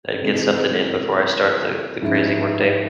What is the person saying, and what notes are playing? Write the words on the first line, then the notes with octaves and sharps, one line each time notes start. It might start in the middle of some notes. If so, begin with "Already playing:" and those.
and get something in before I start the the crazy workday.
C3 E3 G#3
G#2 F3 G#3 C#4 E4